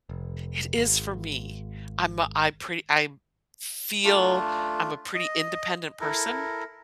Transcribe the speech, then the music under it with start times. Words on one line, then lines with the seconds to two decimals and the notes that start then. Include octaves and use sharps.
It is for me. I'm a I pretty I'm feel I'm a pretty independent person,
0.09 F1
0.77 G#1
4.04 A3 D4 F4
5.14 D#5
6.01 E4 A4 A#4